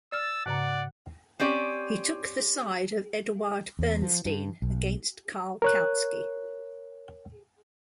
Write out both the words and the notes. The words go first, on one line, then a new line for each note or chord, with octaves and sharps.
He took the side of Eduard Bernstein against Karl Kautsky.
D5 E6 F6 A6
G#2 C#3 D5 F#5 A#5
C4 C#4 G4 D5
E2
F3
G2
B1
A#4 C#5 F#6